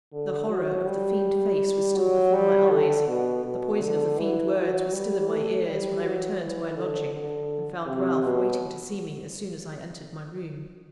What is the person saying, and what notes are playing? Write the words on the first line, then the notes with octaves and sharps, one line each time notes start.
The horror of the fiend-face was still before my eyes, the poison of the fiend-words was still in my ears, when I returned to my lodging, and found Ralph waiting to see me as soon as I entered my room.
D3
F#3
G3
F#3
G3
D3
B2
B2
D3
E3
F#3
G3
A3
G3
F#3
E3
D3
D3
C3
B2